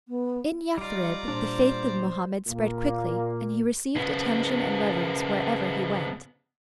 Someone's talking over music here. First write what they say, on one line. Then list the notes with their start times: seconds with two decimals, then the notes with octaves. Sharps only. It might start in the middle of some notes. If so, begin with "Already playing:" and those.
In Yathrib the faith of Mohammed spread quickly and he received attention and reverence wherever he went.
0.08 B3
0.78 G3 D#4 F4 D5 A#5
1.28 A#2 A#3 D4 C5
2.47 A#2 A#3
3.96 C#3 B3